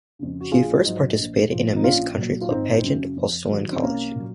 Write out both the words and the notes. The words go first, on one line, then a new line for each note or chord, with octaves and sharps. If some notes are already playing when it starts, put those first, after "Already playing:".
She first participated in a Miss Country Club pageant while still in college.
F2 C#3
F#4
A#1 F4 G#4
G#2 F#3
A#1
A#2 F3
D#4
A#1 C#4 F4
A#2 F#3
F4
G#1 C4 D#4
F#2 C#3 F#3
F2
D#3 F#3
C4
C2 A#3 C#4
A#2 F#3